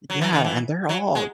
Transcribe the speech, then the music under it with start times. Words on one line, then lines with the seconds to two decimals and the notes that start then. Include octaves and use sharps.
Yeah, and they're all
0.10 F#3
0.21 E3
0.33 D#3
0.44 E3
0.89 F#3
1.15 G#3